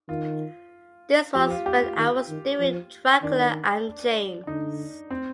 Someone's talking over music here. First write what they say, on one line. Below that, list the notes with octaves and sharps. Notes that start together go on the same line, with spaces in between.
This was when I was doing Dracula and chains.
D#3 F4
F3 G4
F4
G4
F4
D#3
D#3
F3
D#3 D4
D3 D#4
C4